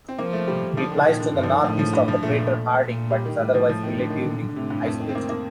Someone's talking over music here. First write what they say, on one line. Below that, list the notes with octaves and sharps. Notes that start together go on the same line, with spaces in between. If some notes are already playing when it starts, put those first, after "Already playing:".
It lies to the northeast of the crater Harding, but is otherwise relatively isolated.
C4
F3 A#3
A3
G3
D3 F3
D#3
A#2 D#3
D3
G2 D3
F3
D#3
A2 F3
F3
G2
F3
A#2 A3
A#2
G3
D#3
A2 G3
F3
F3
D#3
D3
D#3
A#2 D3
D3
A2 C3
G2
F2
D#3
C4
A#3
A#3